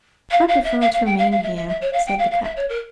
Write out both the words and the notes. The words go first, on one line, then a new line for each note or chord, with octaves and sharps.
"I prefer to remain here," said the cat.
F5
F5
E5
F5
F5
G5
F5
F5
E5
E5
E5
C#5
F5
G5
F5
F5
E5
C#5
A#4